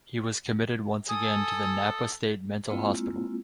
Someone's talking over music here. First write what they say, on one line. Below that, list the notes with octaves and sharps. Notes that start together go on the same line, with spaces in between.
He was committed once again to the Napa State Mental Hospital.
A4 G#5 D#6
G#3 A#3 C4 E4 F4